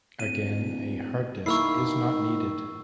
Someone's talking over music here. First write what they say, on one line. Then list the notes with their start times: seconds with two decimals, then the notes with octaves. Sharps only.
Again, a harddisk is not needed.
0.20 D1 D#7
1.46 D#3 A#3 E4 C#6 E6 C7